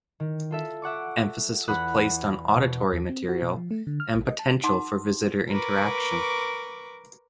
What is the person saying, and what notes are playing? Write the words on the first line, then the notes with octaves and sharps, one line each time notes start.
Emphasis was placed on auditory material and potential for visitor interaction.
D#3
F4 A4 E5
E5 F#5 C#6 D6
E2 F#5 B5 F#6
B2
E2
C4
F#4
B2
F3
A3
D3
F6
A1
D#5
A5
D#4 F#5 A5 C6 D6
A#4 B4 C#6 D6